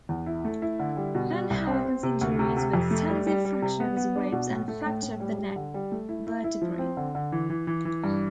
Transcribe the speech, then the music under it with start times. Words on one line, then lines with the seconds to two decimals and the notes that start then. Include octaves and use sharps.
Penhaligon's injuries were extensive fracture of his ribs and fracture of the neck vertebrae.
0.09 E2
0.26 E4
0.45 A3
0.62 E4
0.80 D3
0.97 G3
1.15 B2
1.32 G3
1.50 C2
1.67 C4
1.85 C4
2.03 C3
2.21 D2
2.39 C3
2.57 C3
2.73 F2
2.91 A3
3.10 G3
3.27 G3
3.45 G3
3.62 C3
3.80 B3
3.97 B3
4.15 D4
4.32 B2
4.50 A2
4.68 A3
4.86 A2
5.02 A2
5.20 G3
5.38 G3
5.56 D3
5.74 G3
5.92 A3
6.09 E4
6.27 E4
6.44 E4
6.62 F3
6.79 C4
6.97 D3
7.15 D3
7.32 E3
7.50 E3
7.67 E3
7.85 E3
8.04 G2